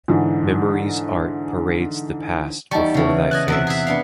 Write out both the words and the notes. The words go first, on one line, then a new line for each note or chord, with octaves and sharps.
Memory's art parades the past before thy face.
G#2 D3 E3
E2 G3 D#4 A5 C#6
C#3 E3
D#5 G#5 A5 F#6
E2 C3 E5
G#4 E5
B3 D4 F5